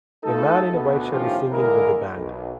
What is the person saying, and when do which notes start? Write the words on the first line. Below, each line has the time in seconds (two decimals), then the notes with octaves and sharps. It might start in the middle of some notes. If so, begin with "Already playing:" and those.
A man in a white shirt is singing with a band.
0.24 A3 D#4 F4 A4
0.72 D2 B2 B3
1.12 A2 D#3 F3 C#4 F4 G4
1.53 D3 G#3 A#3 E4 A#4
2.16 B1